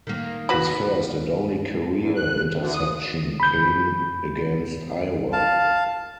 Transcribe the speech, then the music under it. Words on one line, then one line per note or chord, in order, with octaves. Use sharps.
His first and only career interception came against Iowa.
D#3 A#3
F#4 B4 B5
E2
F#6
D2
D#6
B5 G6
F5 A5